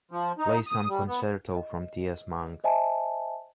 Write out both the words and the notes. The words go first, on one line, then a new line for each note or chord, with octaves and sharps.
Play some concerto from T. S. Monk.
F3
D#4
D#6
G3
B3
D#5
C5 D#5 E5 G#5 A5